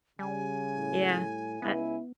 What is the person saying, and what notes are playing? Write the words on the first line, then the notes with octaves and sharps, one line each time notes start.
yeah, uh
C#3 G3 G#5
A2
C#2 B3 E4